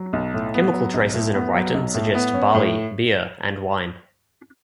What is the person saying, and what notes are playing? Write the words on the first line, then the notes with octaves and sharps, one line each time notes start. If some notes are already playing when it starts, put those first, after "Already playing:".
Chemical traces in a rhyton suggest barley, beer, and wine.
Already playing: F#3
B1
A2
B3
F#3
B1
A2
B3
F#3
B1
A2
B3
C#4
A2